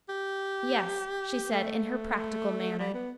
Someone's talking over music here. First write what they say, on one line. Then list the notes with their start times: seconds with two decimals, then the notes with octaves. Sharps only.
"Yes," she said, in her practical manner.
0.09 G4
1.52 A3
2.79 G3
2.94 B3